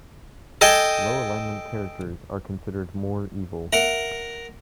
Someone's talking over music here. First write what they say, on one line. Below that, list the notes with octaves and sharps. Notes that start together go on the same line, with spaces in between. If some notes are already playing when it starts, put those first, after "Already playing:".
Low alignment characters are considered more 'evil'.
A4 D#5 G5 G#5
A#4 E5 F#5 A#5